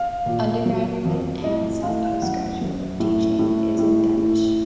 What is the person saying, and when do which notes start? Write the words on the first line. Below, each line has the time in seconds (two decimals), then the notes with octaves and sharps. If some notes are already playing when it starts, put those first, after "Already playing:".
Undergraduate and some postgraduate teaching is in Dutch.
Already playing: F5
0.26 A#2
0.66 F#3
1.05 F2
1.44 A2 D#5
1.83 A2 F5
2.22 F#2 F#5
2.61 F#2
3.00 A2
3.39 A2
3.78 A2
4.17 A2